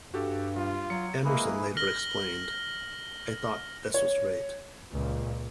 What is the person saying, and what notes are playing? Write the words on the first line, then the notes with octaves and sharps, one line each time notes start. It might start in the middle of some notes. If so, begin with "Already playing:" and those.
Emerson later explained, I thought this was great.
G2 F#4 G4 A4
G3 F4
F#3 C#7
G#3 A#3 E4 G#4 B4
F6 A#6 F#7 G7
C#5
C#2 A#2